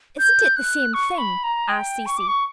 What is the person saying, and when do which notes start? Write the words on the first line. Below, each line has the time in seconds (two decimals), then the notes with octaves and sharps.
"Isn't it the same thing?" asked Cecy.
0.19 G6
0.56 F#6
0.94 C#6
1.18 B5
1.44 A#5
1.69 G5
2.06 C#6
2.17 D6
2.28 C#6